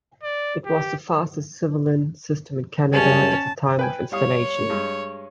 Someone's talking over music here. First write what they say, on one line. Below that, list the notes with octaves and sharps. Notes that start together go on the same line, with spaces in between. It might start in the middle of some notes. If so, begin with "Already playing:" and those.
It was the fastest civilian system in Canada at the time of installation.
D5
G4
F#2 C#3 G3 C#4 A5
B4 G5 G#5
G3 C#5 F5 D#6
G2 G#3